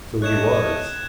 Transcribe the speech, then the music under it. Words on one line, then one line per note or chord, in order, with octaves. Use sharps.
So he was.
A3 C#5 D#5 F#6 G#6 E7